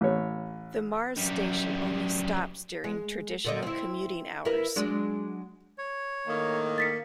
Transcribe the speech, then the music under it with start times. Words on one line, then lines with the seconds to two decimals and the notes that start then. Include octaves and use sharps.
The Mars station only stops during traditional commuting hours.
0.01 A1 C#5
1.17 F#2 G3
2.84 G#3
3.45 A#2 D3 D#5
3.63 C4 E4
4.45 E4 A#4 B4
4.76 F#3 G#3 D4
5.78 C#5
6.27 A2 D#3 A#3
6.78 A6 B6 C#7